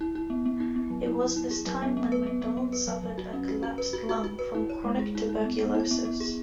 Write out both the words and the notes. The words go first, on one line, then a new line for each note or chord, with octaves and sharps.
It was this time when Macdonald suffered a collapsed lung from chronic tuberculosis.
E4
E4
B3
B3
E4
B3
F#3
E4
E4
E4
G#4
F#3
B3
B3
B4
B3
B3
B3
B4
F#3
F#3
F#4
C#4
F#4
F#4
B4
F#4
F#4
F#4
B4
E4
C#5
G#3
G#4
E4
E4
B3
B3
E4
B3
B3
G#4